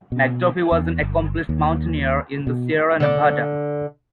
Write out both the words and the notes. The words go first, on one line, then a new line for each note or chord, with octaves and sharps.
McDuffie was an accomplished mountaineer in the Sierra Nevada.
B2
E2
G1
D#2
B2
D3 D4